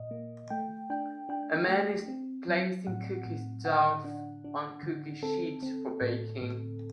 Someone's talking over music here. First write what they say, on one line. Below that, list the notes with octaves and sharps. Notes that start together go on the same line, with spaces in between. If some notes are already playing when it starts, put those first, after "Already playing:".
A man is placing cookie dough on cookie sheets for baking.
Already playing: A#2 D#5
A#3
A3 G5
D4 G5
D4 G5
A3
C4
F#3
A2 F#5
A2
D3 F#5
D4
D4
D3
C4 A4
C4
A2
A2